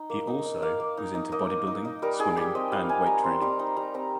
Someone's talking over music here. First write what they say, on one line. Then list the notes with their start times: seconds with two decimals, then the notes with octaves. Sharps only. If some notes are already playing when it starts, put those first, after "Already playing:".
He also was into bodybuilding, swimming, and weight training.
Already playing: D#4
0.10 A#3
0.27 D#4
0.45 D#4
0.62 A#3 F5
0.80 A#3
0.97 D#4
1.14 D#4
1.32 A#3 D#5
1.50 A#3
1.67 D#4
1.85 D#4
2.02 G3 A#4
2.19 D#4 G#4
2.37 G3 G4
2.55 C4 D#5
2.72 G3 F5
2.89 D#4 G#5
3.06 G3 A#5
3.24 C4 C6
3.41 G3 A#5
3.59 D#4 A#5
3.77 G3 A#5
3.94 C4 A#5